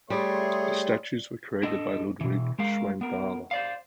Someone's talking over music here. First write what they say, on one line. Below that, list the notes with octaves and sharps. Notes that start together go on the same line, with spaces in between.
The statues were created by Ludwig Schwanthaler.
G3 A3 G#4 C#5 C6
D4 A4 D#5
B2 E3
G#3 A#4 F5
B3 A#4
C5 D5 F5